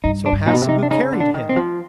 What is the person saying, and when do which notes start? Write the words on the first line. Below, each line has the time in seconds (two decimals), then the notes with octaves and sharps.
So Hassebu carried him.
0.04 G2 D#4
0.26 D4
0.33 G2
0.46 A#2 D#4
0.53 B2
0.61 C3
0.69 D#4
0.83 D4
0.90 C#3 D#4
1.12 D3
1.20 D4
1.34 D#3
1.49 C4
1.56 F3